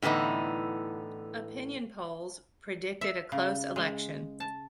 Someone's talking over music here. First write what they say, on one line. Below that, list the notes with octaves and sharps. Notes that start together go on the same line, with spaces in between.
Opinion polls predicted a close election.
A2 D3 E3 B3 D#4
E5
C#3
G#3
A5